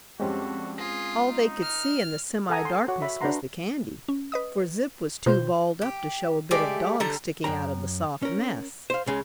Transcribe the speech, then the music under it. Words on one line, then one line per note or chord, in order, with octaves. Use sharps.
All they could see in the semi-darkness was the candy, for Zip was too balled up to show a bit of dog sticking out of the soft mess.
F2 G3 G#3 C4 C#4 F#4 G4
F4 G#4 A#6
D#4
F6
A4 F#5 G#5 A#5 D#6
C6
F#4 C#5 F#5 D6
E5 B5
D4 F#4 B4 F#5 A#5 C6
C#4
B4 D#5 D#6
B2 F4 C5
G4
G#3 A3 G4 D5
D3 G3 A4 A#5
F#2 A3 G5 A#5
C#4 A#4
C5 F5
C#2 C#3 G#3